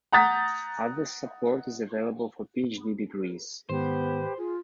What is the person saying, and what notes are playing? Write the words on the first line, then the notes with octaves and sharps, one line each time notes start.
Other support is available for PhD degrees.
F#5 A#5 D#6 G6 A6 B6
G#2 D#3 B3 G4 B4 C5
F4 G#4